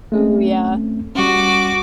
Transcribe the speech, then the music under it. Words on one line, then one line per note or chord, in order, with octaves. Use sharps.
Ooh, yeah.
A3 C4 C#4
G3 C#4 F#4 D6